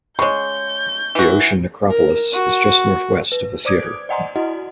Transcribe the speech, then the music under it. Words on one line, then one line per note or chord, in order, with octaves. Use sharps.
The ocean necropolis is just northwest of the theater.
C#3 G#3 C#5 C#6 G6
E3 F#4
A#4
F#4
B4
C5 D5 D6 D#6 G#6 D7
D5 D#5 F#5 G#5 A#5 C6
E4 F#4 D#5 F#5